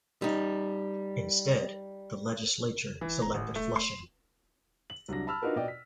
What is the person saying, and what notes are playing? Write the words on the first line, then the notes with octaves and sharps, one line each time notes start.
Instead the legislature selected Flushing.
G3 D#4
E3
A#5
A1
A3
C6
F#7
C2 F#3 D4 A#6
A5 B5 E6 F6
D4 D#4 F4 F#4 A#4 B4
B2 D5 D#5 G5
B6